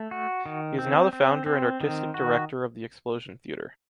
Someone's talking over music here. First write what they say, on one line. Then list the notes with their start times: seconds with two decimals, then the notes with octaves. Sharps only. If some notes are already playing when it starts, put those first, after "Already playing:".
He is now the founder and artistic director of the explosion theatre.
Already playing: A3
0.11 F#4
0.46 D#3
0.79 C4
1.13 C4
1.46 C4
1.81 D#3
2.14 F#4